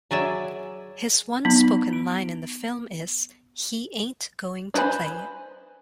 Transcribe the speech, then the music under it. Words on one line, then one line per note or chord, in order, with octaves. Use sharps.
His one spoken line in the film is, He ain't going to play.
F#3 G#4 D5 E5
F#3 B3 D#4
D7
D4 B4 C5 G#5 B5